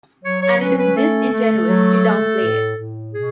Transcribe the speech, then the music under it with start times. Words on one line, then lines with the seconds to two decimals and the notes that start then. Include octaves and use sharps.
And it is disingenuous to down-play it.
0.23 F#3 C#5
0.41 C#5
0.59 C#4 B4
0.77 B4
0.95 A3 A4
1.32 A3
1.68 F#3
2.04 A3
2.40 A2
2.76 A2
3.12 B2 G#4